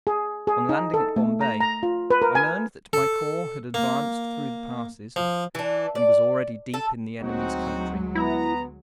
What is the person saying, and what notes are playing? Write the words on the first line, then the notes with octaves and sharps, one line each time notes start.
On landing at Bombay, I learned that my corps had advanced through the passes, and was already deep in the enemy's country.
G#4
G#4
D#4
A4
A3
A#5
A#5
F4
B4
A#4
G#5
A4
A#3
F3
E3 D4
D5
A4
D2 F#3 G#3 C4 D#4 F#4
B3 E4 A#5